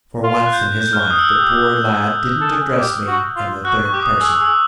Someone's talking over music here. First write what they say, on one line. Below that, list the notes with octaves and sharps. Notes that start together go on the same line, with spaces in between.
For once in his life, the poor lad didn't address me "in the third person."
F4
F#6
G6
G6
F6
F#6
D#6
E6
G4
A4
G#4
G4
F#4
F4
F#4 F#6
C#6
G4 D6
D#6
G#4 E6
G#4 E6